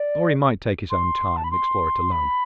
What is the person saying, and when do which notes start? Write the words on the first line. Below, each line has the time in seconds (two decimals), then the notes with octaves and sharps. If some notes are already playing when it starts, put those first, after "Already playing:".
Or he might take his own time, and explore it alone.
Already playing: D5
0.90 C6
1.37 A5
1.44 B5
1.51 C6
2.11 B5